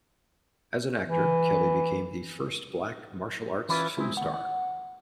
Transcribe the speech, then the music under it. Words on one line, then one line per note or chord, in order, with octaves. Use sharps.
As an actor, Kelly became the first Black martial arts film star.
E3
E3 C#4 E4 F4 B4
G#3 C4 E4
D#2 F#5
F#5